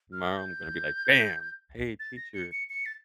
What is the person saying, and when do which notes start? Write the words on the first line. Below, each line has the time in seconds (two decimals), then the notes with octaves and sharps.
Tomorrow, I'm gonna be like, "Bam! Hey, teacher"
0.12 F6
0.36 G6
2.00 A6
2.16 A#6
2.34 C#7
2.52 C#7
2.69 C#7
2.86 A6